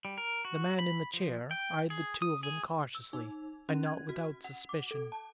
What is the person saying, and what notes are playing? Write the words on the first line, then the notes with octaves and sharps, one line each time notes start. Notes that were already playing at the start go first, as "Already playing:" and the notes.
The man in the chair eyed the two of them cautiously, and not without suspicion.
G3
A#4
F#4
B5
F3
G5
G#4
D#6
G#4
E6
D#4
C#4
G#6
F#4
F#5
D6
A4
A5